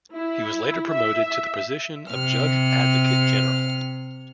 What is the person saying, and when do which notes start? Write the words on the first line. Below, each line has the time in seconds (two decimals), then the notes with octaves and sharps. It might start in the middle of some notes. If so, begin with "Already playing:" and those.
He was later promoted to the position of judge advocate general.
0.14 E4
0.89 E5
2.11 C3 F6